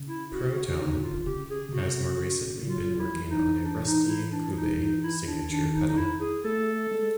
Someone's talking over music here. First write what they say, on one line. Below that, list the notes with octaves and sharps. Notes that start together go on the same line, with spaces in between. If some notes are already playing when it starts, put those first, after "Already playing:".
ProTone has more recently been working on a Rusty Cooley Signature pedal.
Already playing: C#3
E4
F#4
F#4
C#3
D3 D#4
F4
C#3 G4
G#4
C3 F#4
C#3
F#3 F4
E4
E3
D#4
D4
D#4
E4
D4
D#4
D#4
E4
D4
D#3 D4
D#4
D#4
E4
G#4
A3 A4
G#3